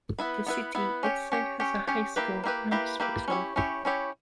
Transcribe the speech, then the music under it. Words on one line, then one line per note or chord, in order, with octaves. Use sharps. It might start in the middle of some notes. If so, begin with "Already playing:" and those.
The city also has a high school and hospital.
B3 E4 B4
B3 E4 B4
B3 E4 B4
C#4 G4 C#5
C#4 G4 C#5
C#4 G4 C#5
C#4 G4 C#5
A#3 E4 G4 B4
A#3 E4 G4 B4
A#3 E4 G4 B4
A#3 E4 G4 B4
C#4 E4 G4 C#5
C#4 E4 G4 C#5
C#4 E4 G4 C#5